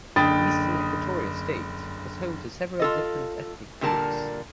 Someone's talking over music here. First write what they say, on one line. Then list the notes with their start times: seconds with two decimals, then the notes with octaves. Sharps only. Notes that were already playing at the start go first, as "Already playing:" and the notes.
Eastern Equatoria state was home to several different ethnic groups.
0.16 F#1 D3 G5 B5 D#6 A6
2.79 F4 A4 D#5
3.81 A#2 D3 G3 A#4 A5